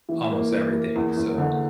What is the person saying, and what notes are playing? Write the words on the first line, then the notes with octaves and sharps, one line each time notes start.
almost everything, so,
E3
A#3
E3
A#3
E2
E2
D3